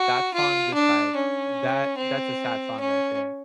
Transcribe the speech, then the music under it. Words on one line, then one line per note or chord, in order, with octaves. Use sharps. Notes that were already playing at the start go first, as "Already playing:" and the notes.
That song just, like that that's a sad song right there
Already playing: F#4
F4
D4
C#4
C4
C#4